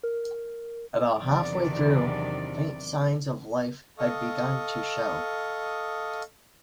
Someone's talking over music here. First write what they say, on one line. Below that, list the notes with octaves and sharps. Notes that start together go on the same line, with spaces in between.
About half-way through, faint signs of life had begun to show.
A#4
E2 C3 D#3 F#3 D4 D5
A4 D#5 F5 C#6 D#6